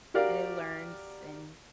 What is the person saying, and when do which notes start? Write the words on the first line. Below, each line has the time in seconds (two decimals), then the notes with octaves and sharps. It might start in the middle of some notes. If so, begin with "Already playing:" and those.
And it learns and,
0.14 F#4 G4 A#4 D5 F5